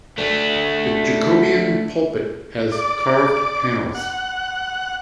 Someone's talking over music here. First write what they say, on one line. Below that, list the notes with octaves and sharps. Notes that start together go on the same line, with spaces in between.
The Jacobean pulpit has carved panels.
A3 D4
D5
F#5